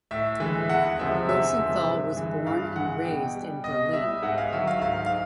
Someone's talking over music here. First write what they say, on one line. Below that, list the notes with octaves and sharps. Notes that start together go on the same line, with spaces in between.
Rosenthal was born and raised in Berlin.
A2 E5
E3 G#3 E5
E2 F#5
C3 F3 G#3 E5
E2 E5
C3 F3 G#3
G2
E3 G#3
G2 F5
E3 G#3 F#5
B2 G5
G3
B2 D#5
G3 E5
G#2 F#5
F5
D#3 F#3 E5
F5
G#2 F5
F5